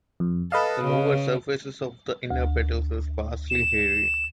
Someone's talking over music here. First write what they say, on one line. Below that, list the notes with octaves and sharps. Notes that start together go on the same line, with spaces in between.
The lower surfaces of the inner petals are sparsely hairy.
F2
A4 B4 D#5 F5
C#3
D2
E7